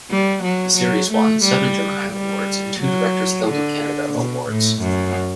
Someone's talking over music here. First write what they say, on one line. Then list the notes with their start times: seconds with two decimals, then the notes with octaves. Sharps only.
The series won seven Gemini Awards and two Directors Guild of Canada Awards.
0.10 G3
0.43 F#3
0.77 F#3
1.11 A3
1.44 G3
2.12 G3
2.79 F#3
3.47 D3
4.14 B2
4.48 A2
4.81 F#2